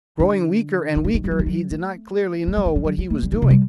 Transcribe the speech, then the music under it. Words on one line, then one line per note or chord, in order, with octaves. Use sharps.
Growing weaker and weaker, he did not clearly know what he was doing.
D3
D#3
D3
D#3
G3
F#3
D#3
F#3
A3
A3
G3
A3
G3
F#3
G3
A3
G3
D#3
C3
G3